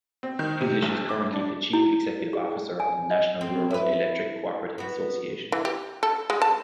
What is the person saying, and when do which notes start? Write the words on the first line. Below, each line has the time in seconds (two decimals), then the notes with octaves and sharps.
English is currently the chief executive officer of the National Rural Electric Cooperative Association.
0.23 C4
0.39 D#3
0.61 C3
0.83 B1
1.09 D6
1.33 D4
1.73 E4
2.33 G#4
2.80 G#5
3.11 D#5
3.41 C4
3.70 E4 B4
4.78 B3 F#4
5.52 E3
5.65 G4
6.03 A4
6.30 G#3
6.42 A5